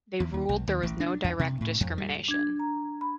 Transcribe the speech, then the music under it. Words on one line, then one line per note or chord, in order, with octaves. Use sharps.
They ruled there was no direct discrimination.
E2
D#2
B1
D#2
A1
D4
E2
C3
A2
F2
G3
D4 G#6
A#5
B5